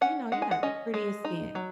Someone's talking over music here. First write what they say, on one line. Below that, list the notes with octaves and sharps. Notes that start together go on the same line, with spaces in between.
"You know, you have the prettiest skin,
C#4 F#5
G#3 F#5
G#5
F#5
C#4 D#5
G#3
D#4
F#3